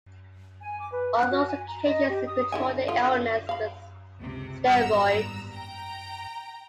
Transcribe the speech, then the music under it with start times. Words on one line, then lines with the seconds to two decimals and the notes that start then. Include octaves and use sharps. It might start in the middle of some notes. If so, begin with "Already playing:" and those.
On those occasions, he controls the illness with steroids.
0.61 G#5
0.79 D6
0.92 B4
1.14 F#6
1.30 F#4
1.47 G#5
1.67 A#5
1.84 D#5
2.08 G4
2.26 D#6
2.52 D3 E4 G#5
2.88 D3 F4
3.49 F5 B5
4.20 C#2 C3
4.66 G#1 G3 B3 A#5 E6
5.53 G5 A#5